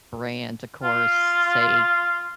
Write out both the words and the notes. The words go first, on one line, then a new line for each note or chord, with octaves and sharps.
brands, of course, say,
F4